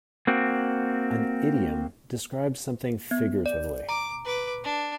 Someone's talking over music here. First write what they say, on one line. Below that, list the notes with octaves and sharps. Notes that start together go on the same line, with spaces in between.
An idiom describes something figuratively.
A#3 C4 F#4
B3
D5
A#5 D6
B4 D6
D4